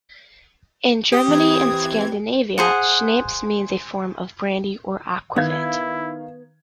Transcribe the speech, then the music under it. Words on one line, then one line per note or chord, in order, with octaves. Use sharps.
In Germany and Scandinavia, schnapps means a form of brandy or aquavit.
G4 D#6
E3 C4 G#6
G#4 C5 F#5
D#3 B3 E4 F5 G#6